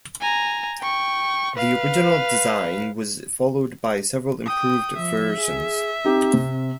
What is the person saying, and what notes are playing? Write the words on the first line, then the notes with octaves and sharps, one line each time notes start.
The original design was followed by several improved versions.
G#5 A#5
G5 C#6
B4 F5
G5 D#6
F3 E5
G#4
C4 D#4 G4
C3